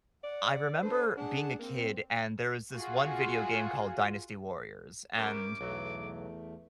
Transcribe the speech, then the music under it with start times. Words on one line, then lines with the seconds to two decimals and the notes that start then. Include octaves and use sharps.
I remember being a kid, and there was this one video game called Dynasty Warriors, and
0.24 D5 F#5
0.82 D4 A4 B4 C5
1.17 D4 G#4 F#5 A5
1.59 A#3 C4
2.76 F4 F#4 G#4
5.16 G3 C#4 A#4 E5 D6
5.61 B1 E2 F#3 A3